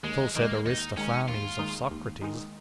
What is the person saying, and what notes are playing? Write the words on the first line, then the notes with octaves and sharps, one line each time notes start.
'So said Aristophanes of Socrates.
D#2 G#3
D#3 G#3 A#3 D#4
D#2 D#4
D#3 G#3 C#4 D#4
D#2 F4
D#3 G#3 D#4
D#2
D#3 G#3 D#4